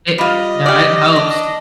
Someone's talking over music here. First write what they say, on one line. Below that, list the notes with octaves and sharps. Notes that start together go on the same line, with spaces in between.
It yeah, it helps i
G3 F4 D#5
G4 D5
D4